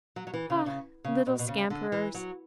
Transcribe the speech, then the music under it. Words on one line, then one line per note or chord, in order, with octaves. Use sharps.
Ah, little scamperers!
F#3
F#3
E3
C#3
C#3
C#3
B2
B2
C#3
D3
E3
F#3